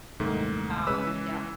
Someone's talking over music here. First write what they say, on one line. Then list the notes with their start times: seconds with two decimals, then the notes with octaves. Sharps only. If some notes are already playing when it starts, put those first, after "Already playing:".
Ah. Yeah.
0.20 D#1 C2 G#2 D#3 A3
0.87 C#3 G#3 B4 C#5 E6
1.07 E3